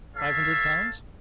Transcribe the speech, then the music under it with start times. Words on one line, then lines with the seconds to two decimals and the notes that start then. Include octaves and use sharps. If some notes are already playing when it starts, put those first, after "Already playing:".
Five hundred pounds?'
0.17 A4 C#5 E5 F5 A5